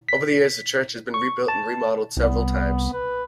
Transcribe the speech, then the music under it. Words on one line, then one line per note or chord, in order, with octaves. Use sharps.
Over the years the church has been rebuilt and remodeled several times.
B6
C#6
A5
C2 B3
B4